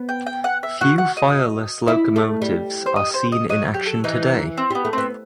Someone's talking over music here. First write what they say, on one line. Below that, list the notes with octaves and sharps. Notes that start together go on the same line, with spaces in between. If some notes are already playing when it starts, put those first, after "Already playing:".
Few fireless locomotives are seen in action today.
Already playing: B3
G5
G5
F#5
E5
F#4 F#5
F#5
D#5
E4
A3
G3
C5
D#5
C5
D#5
F#3 D#5
G4
A4
E3 D#4
C4
G3 B3
A3
B3 C4